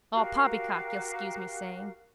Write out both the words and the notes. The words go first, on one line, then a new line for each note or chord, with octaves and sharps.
All poppycock, you'll scuse me saying.
F#4 G4 A#4 F5